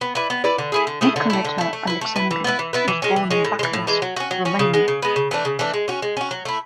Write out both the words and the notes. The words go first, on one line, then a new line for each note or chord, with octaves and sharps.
Nicoleta Alexandru was born in Bucharest, Romania.
B3
E4 B4 D5
B3
E4 B4 D5
D3
A3 E4 G#4
D3
A3 E4 G#4
D3
A3 E4
D3
A3 E4
A3
E4 B4
A3
E4 B4
E3
B3 E4 B4
E3
B3 E4 B4
E3
G#3 C#4
E3
G#3 C#4
A2
G#3
E3
A2
E3 G#3
F#3
C#4 F#4
F#3
C#4 F#4
C#3
G#3 B3
C#3
G#3 B3
C#3
E3 A3 D4
C#3
E3 A3 D4
G#3
C#4 F#4
G#3
C#4 F#4
F#3
A3 E4